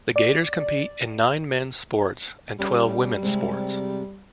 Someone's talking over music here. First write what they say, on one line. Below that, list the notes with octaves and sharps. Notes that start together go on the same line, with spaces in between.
The Gators compete in nine men's sports and twelve women's sports.
D5
G3 C#4
C3 G#3 C4